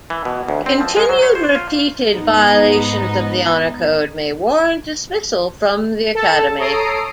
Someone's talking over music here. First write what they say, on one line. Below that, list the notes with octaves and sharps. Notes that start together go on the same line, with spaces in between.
Continued, repeated violations of the Honor Code may warrant dismissal from the Academy.
E3
B2
D2
C4
F3
G#3
F#3
C#5
C5
F4
G#2 B3 D#4
A4 A5
A4 C#5 A#5 D#6 C7 D7